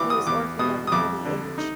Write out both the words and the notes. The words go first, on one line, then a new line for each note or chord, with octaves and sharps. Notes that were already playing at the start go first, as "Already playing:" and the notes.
He was orphaned at an early age.
Already playing: E3 D6
D#6
E2 D6
B2 D#6
D#6
F2 D6
D3
D#4